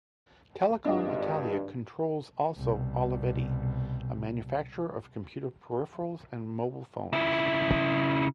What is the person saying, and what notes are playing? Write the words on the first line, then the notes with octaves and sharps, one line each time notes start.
Telecom Italia controls also Olivetti, a manufacturer of computer peripherals and mobile phones.
G#1 G2 D4 F4 D#5
C2 B2
C#3 E4